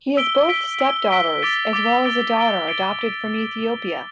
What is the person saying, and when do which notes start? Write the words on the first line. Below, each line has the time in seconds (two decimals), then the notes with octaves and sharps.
He has both step-daughters, as well as a daughter adopted from Ethiopia.
0.17 E6 B6 D7 G7
0.49 E6 B6 D7 G7
0.80 E6 B6 D7 G7
1.11 E6 B6 D7 G7
1.43 D6 A6 D7 G7
1.73 D6 A6 D7 G7
2.05 D6 A6 D7 G7
2.36 D6 A6 D7 G7
2.68 A6 D7 G7